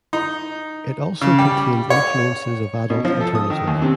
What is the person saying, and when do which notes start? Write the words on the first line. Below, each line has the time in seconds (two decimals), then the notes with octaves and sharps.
It also contains influences of adult alternative.
0.13 D#4
1.22 C#3
1.39 G3
1.90 C#5
2.90 B2
3.05 F3
3.21 A4
3.35 D#6
3.50 D#3
3.67 D#2
3.82 C3